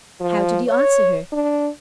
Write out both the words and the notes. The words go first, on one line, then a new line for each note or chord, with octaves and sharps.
How did he answer her?
F3
C#5
D4